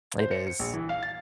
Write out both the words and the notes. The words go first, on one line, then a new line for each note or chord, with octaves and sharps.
It is.
C5
C#7
C#7
A#1
E3
F5
A6